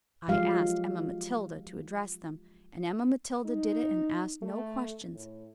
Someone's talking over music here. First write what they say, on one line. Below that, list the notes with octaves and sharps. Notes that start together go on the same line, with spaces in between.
I asked Emma Matilda to address them, and Emma Matilda did it and asked no questions.
F3 F#3 G#3 G4 F5
D#4
A3
A2